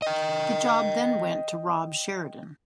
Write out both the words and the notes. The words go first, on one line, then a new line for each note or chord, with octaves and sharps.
The job then went to Rob Sheridan.
D#5 G5